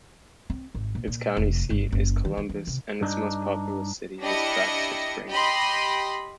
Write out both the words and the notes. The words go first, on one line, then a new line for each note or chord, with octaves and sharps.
Its county seat is Columbus, and its most populous city is Baxter Springs.
C4
G#1
A#2
A#2
F1
G1
F#1
D#3
D#3
E3
C3
G2 D4 D#4
D4 E4 G4 D#5 A#6 C#7
G4 D#5 B5 C6